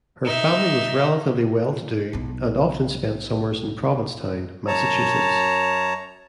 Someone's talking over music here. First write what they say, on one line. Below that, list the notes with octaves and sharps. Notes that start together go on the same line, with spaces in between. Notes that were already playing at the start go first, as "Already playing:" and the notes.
Her family was relatively well-to-do and often spent summers in Provincetown, Massachusetts.
D#4 E5
B1 D#4
F#2 C#5 A5 A#5